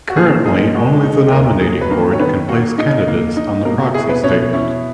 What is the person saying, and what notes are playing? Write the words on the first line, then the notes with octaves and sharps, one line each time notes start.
Currently, only the nominating board can place candidates on the proxy statement.
F#4
A#2 G#4
D#4 G#4
G#3 F#4
D#4
D#2 A#3 A#4
F#3 G#4
B4
D#3 A#3 A#4
C#5
D#3 B3 B4
A#3 F#4 F#5
D#4 D#5
A#3
D#4
B2 A#3 A#4
F#4
E4 G#4
B3 B4
B2 C#4 C#5
C#4 E4 C#5